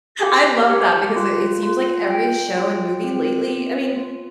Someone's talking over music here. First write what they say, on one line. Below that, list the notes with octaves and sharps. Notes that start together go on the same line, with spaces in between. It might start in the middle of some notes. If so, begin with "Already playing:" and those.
I love that because i it seems like every show and movie lately I mean,
G4
G4
F4
F4
G5
F4
C4
C4
F4